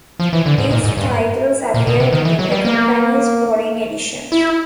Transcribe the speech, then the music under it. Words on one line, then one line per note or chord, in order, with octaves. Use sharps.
These titles appeared in the company's foreign editions.
F3
E3
D3
G#2
A#2
G#2
G2
A#2
B2
C3
D#3
E3
F#3
G3
A#3
E4